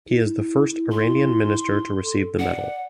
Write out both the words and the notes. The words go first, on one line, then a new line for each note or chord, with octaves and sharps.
He is the first Iranian minister to receive the medal.
E4
C6
A4
D5 F#5